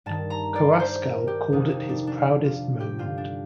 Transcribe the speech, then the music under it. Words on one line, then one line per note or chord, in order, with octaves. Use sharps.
Carrasquel called it his proudest moment.
G2 D#3 A5
A#5
D5
C5
A#4
G4
F2 C3 D#3 D#4
D#4
D4
D4
F4
G4
G2 D3 F4
D4